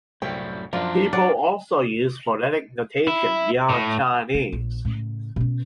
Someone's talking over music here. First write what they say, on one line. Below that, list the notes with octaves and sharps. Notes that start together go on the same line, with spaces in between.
People also use phonetic notation beyond Chinese.
C2 F#2 A2 G3 G5
F#2 F3 D4 F4 A#4 D5
F#3 D5 F#5
E4
A2
A#3
A#1
A2 C#3
B2 C#4